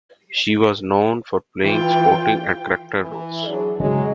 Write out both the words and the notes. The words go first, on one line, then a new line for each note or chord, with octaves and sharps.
She was known for playing supporting and character roles.
E3 F4 G5
E3 E4
F#3 D4 G#4
C#3 F#3 G#3